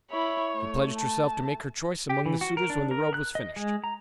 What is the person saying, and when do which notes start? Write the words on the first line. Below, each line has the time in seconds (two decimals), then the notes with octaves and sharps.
She pledged herself to make her choice among the suitors when the robe was finished.
0.11 E4 C#5 B5
0.54 A3
0.97 A5
2.09 G4
2.26 E3
2.41 F#4
2.57 A#4
2.70 D4
2.91 A#4
3.14 F#6
3.35 D#5
3.56 G#3
3.84 A#5